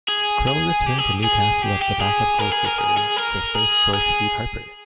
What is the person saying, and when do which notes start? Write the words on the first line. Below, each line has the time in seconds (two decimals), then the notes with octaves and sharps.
Krul returned to Newcastle as the backup goalkeeper to first choice Steve Harper.
0.09 G#4
0.47 G#4
0.86 G4
0.99 G#4
1.24 G#4
1.62 G4
1.82 G4
2.01 G#4
2.39 A#4
2.52 G#4
2.65 A#4
2.78 G#4
2.97 G#4
3.16 A#4
3.55 G#4
3.94 G#4